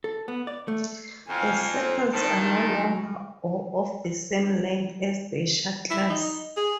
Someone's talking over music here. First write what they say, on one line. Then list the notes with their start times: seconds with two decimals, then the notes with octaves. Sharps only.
The sepals are longer or of the same length as the shuttles.
0.04 A4
0.28 B3
0.47 D5
0.68 A3
1.28 F2 F5 G#5
1.75 C5
2.13 G2 A#2 D#3 A5
2.66 F#3
5.91 E4
6.10 D#4
6.56 G#4